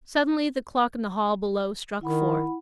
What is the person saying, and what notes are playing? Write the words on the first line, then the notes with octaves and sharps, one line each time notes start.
Suddenly the clock in the hall below struck four.
D#3 E4 F#5 B5